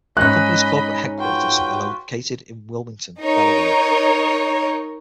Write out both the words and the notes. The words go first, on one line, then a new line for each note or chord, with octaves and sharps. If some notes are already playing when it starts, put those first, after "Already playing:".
The company's corporate headquarters are located in Wilmington, Delaware.
G#2 C#4 D#5 B5 F#6
F4 F#4 B4 G5
D#4 A#4 C#5